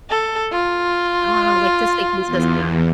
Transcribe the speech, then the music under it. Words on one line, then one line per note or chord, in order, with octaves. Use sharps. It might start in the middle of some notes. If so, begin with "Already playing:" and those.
Ah, like, to stay consistent.
A4
F4
E2